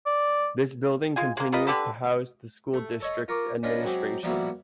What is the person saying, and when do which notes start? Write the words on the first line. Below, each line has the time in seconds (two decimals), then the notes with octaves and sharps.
This building continues to house the school district's administration.
0.06 D5
1.16 G#3 F4 G#5
1.37 G#3 A#3
1.52 F4 A#4 B4 D#5
1.67 D3 G4 A4 B4
2.73 A3
3.00 A4 C#5 D#5
3.28 F4 A#4 C#6 D6
3.63 C#4 D4 F4 A#4 B4 D#5
3.83 F#3 G#3 C4 G4
4.23 F3 G3 A#3 B3 E4 F#4